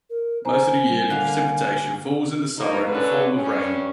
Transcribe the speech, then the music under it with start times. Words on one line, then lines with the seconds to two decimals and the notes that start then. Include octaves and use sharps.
Most of the yearly precipitation falls in the summer in the form of rain.
0.10 A#4
0.45 C5 G#5 A#5
0.89 G3
1.10 D3 A#3 F5 F#6
2.58 F3 A#3 D#4
2.89 D3 F#3 B3 C#4 B4
3.33 G2 C#4